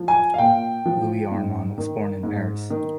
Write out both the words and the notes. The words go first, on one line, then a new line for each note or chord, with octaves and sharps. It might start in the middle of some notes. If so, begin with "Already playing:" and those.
Louis Armand was born in Paris.
Already playing: F3
G#5
F5
A#2 G5
F3
G#2
D#3
G#2
D#3